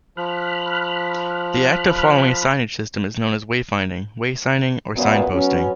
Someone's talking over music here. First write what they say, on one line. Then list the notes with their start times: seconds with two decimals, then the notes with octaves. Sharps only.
The act of following a signage system is known as wayfinding, waysigning or signposting.
0.17 F3 B5 F6 F#6
4.95 F#2 A#2 B3
5.32 F#3 B3 C#4